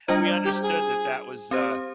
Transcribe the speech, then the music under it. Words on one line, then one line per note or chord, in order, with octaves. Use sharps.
we understood that that was, uh,
G3 D4 F4 C5 D#5
D5
G4
G#4
C4 G4 C5